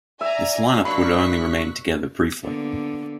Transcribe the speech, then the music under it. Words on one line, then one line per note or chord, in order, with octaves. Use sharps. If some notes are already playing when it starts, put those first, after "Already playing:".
This line-up would only remain together briefly.
D5 E5 G#5 A#5
F#3 A#3 D4 B5 C#6 F#6 B6
D3 A#3 B3